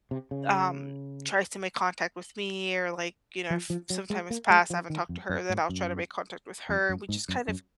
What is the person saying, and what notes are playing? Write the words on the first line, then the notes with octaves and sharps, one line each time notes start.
um, tries to make contact with me, or, like, you know, if some time has passed, I haven't talked to her, then I'll try to make contact with her. We just kind of
C3
C#3
F3
F3
F#3
G#3
A#3
G#3
F3
D#3
F2
F#2
G#2
F#2
F2
F#2
G#2
F#2
F#2